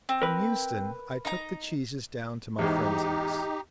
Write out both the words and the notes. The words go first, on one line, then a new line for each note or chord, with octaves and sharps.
From Euston, I took the cheeses down to my friend's house.
C4
A#4 B4
D#4 A#5
E2 G#2 D#4 G4